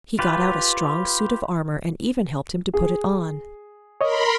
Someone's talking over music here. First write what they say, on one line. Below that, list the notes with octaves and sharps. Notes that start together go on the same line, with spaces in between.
He got out a strong suit of armour, and even helped him to put it on.
F4 G4 B4
G#4
A#4 C#5 D#5 B5 C6